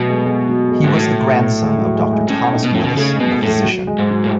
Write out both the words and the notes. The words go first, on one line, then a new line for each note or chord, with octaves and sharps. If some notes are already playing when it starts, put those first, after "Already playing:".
He was grandson of Doctor Thomas Willis, the physician.
Already playing: B2 F#3 A3
G#3
G#3
F#3
G#3
G#2
A2 F#3
G#3
F#3
G#3
G#3
A2 C#4
D#4
B2
A2 C#4
B2
C#3 A3
G#3
B2
G#3
A2
A3
F#3
G#3
G#2
F#3
A2